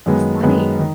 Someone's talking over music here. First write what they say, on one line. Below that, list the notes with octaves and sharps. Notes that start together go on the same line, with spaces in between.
Oh, funny.
F#2 D#3 G#3 B3
F#2 D#3 G#3 B3
D#3